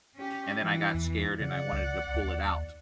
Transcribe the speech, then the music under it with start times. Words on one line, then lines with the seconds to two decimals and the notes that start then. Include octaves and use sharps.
and then I got scared and I wanted to pull it out,
0.16 C#4 G4
0.61 E3
0.94 E2
1.40 C#3 D5 F#5
1.72 C#2
2.14 D#2